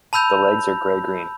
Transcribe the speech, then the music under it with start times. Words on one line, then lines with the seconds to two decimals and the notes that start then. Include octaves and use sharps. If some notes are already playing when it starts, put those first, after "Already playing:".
The legs are grey-green.
0.13 A5 B5 E6 G6 F7